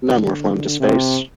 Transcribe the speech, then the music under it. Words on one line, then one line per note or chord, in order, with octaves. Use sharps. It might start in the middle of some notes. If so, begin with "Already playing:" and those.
None were flown to space.
D3
C3